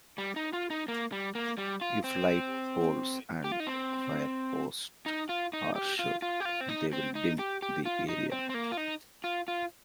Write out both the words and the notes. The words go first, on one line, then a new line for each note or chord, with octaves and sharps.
If light poles and firepots are shot, they will dim the area.
G3
D#4
F4
D#4
A#3
G3
A#3
G3
F4
C4
G4
F4
D#4
C4
D#4
F4
D#4
G4
F4
F4
G4
F4
C4
D#4
C4
D#4
G4
G4
F4
D#4
C4
C4
A#3
F4
D#4
F4
F4